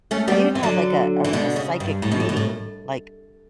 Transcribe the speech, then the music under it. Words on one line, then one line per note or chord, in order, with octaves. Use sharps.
I even had, like, a a r a psychic reading, like,
A3 C#4
G3 B3
E3
D3 F#3
E3
B2 D3
C#3
G2
A2
B2
A2
B2
A2